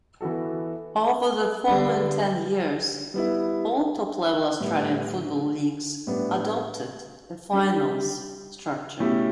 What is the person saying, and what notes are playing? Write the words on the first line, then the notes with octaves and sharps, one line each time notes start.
Over the following ten years, all top-level Australian football leagues adopted a finals structure.
E3 B3 F#4 A4
D3 G3 B3 D4
G3 B3 E4
A2 G3 B3
A2 G3 B3 D4
G3 D4 G4
B2 A3 C#4 E4 G4